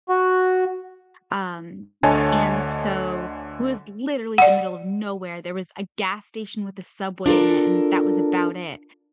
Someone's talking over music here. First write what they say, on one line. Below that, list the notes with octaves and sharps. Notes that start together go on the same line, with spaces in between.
um, and so, was literally the middle of nowhere. There was a gas station with a Subway in it, and that was about it.
F#4
D2 D3 C#5 D#5 G#5 A5
D5 F#5
D4 F4 A4 A#4